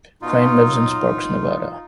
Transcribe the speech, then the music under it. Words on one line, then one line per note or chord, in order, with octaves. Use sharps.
Crane lives in Sparks, Nevada.
B2 D#4 F4
F#3